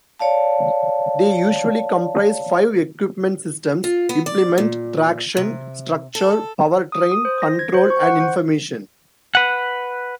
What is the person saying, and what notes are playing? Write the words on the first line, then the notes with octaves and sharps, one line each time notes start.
They usually comprise five equipment systems: implement, traction, structure, power train, control and information.
C#5 D5 F5 A5
F4
B3
D5
A#2
C3
A4
D#6
D#6
C5
A#6
G#6
C5
C#6
F#5
C5
B4 F#5